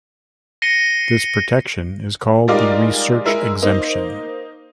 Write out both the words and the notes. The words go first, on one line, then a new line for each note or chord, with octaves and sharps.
This protection is called the "research exemption".
A#6 C7 C#7 D#7 G7
G3 G#3 D#4 F4 A#4 D5
G#3 E4 A#4
A#3 D#4 C5